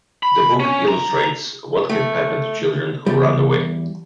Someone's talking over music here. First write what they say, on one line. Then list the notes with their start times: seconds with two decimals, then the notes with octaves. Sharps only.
The book illustrates what can happen to children who run away.
0.23 B5
0.60 C#4
0.88 A#5
1.89 A3
3.06 E2 G3